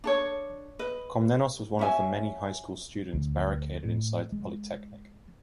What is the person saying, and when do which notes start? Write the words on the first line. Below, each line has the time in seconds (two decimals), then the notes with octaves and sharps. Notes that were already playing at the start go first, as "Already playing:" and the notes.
Komnenos was one of the many high school students barricaded inside the Polytechnic.
0.04 D4 A4 C#5
0.79 B4 D#5
1.79 C#4 F#4 E5 G#5
3.13 D2
3.85 A2
4.32 G#3